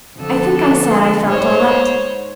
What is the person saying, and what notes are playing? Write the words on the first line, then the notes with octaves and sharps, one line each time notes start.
I think I said I felt all right.
F2 D3 A4
G#2 C5 C#5